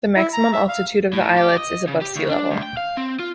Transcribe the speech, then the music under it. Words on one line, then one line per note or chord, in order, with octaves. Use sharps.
The maximum altitude of the islets is above sea level.
E4
A#5
E5
F5
A2
G4
D#5
C#3
G4
D2
D4
D2
G5
F5
C4
F4